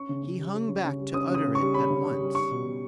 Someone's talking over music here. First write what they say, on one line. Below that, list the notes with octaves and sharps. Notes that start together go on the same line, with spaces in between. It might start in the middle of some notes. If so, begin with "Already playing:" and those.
He hung back to utter it at once.
Already playing: C#4 C#6
C#3
C#3
G3
C#4
C#3
C#3
G3
C#4 D#6
C#3 D#6
C#3
C#6
G3
C#4 B5
C#3
C#3
G3
C#4 C#6
B2
B2